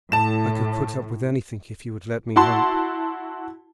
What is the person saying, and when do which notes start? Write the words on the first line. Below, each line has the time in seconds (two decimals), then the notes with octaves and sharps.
I could put up with anything if you would let me hope.
0.12 A2 A5 E7
2.36 E4 F#4 A5 C6